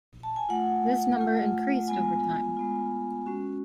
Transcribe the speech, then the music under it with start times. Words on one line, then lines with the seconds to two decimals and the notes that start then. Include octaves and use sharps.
This number increased over time.
0.23 A5
0.36 G#5
0.49 A3 F4 F#5
1.19 A3 F4
1.88 G#3 B3 F4 G#5
2.57 G#3 B3 F4
3.26 G#3 C#4 F#4